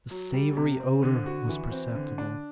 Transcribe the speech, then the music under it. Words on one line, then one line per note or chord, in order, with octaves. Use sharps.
The savoury odour was perceptible.
F#3
G3
C3
C4
D3
F#4
E3
C4
D3
D4